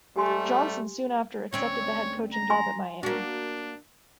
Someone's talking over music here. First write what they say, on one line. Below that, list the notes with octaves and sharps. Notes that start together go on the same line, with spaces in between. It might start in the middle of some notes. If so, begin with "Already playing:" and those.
Johnson soon after accepted the head coaching job at Miami.
G#2 G3 A3 G4 G#5 C6
D2 C4 C#4 C#5
A#5
G#5 C6
A#3 D4 F#4